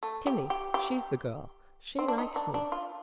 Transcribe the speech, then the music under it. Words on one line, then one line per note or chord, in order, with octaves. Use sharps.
Tillie--she's the girl--she likes me.
A3
G4
G4
G4
C4
D4
D#4
D4
D4
F4